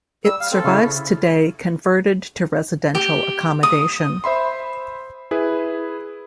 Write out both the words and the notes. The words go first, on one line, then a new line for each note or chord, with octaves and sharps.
It survives today converted to residential accommodation.
G3 E6
F5
C4 A4
C#3 E4 F5
G4
D#6
C5 E5 B5 C6
E4 G#4 B4